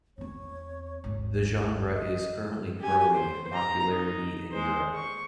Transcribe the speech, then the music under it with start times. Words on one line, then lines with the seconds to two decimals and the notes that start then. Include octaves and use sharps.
The genre is currently growing in popularity in Europe.
0.18 E2 C4 C#5
1.04 G#1 D#2
1.92 D#5
2.80 G4 G#5
3.15 C5
3.53 A#5
3.89 D#4
4.52 G#3 C5
4.93 C#6